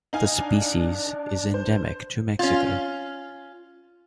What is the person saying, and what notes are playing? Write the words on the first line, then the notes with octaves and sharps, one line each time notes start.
The species is endemic to Mexico.
D#4 F5 G#5
D4
C5
C#4 F4